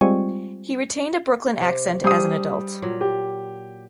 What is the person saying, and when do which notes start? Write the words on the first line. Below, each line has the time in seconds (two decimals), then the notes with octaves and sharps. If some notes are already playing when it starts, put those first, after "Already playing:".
He retained a Brooklyn accent as an adult.
0.01 G3 G#3 C4 F4 G#5 C#6
1.61 C3
2.04 G3 D4 G#4 C5 D#6
2.82 A#2 F#3
3.01 G4